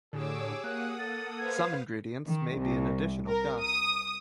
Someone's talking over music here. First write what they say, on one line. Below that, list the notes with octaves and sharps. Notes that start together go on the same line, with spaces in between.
Some ingredients may be an additional cost.
A2 D3 G4 G#4 C#5 D6 E6
A#3 F#5 D#6 F#6
A4 A6
B4 C5 F5 G#6
D#3
C2
A#4
D#6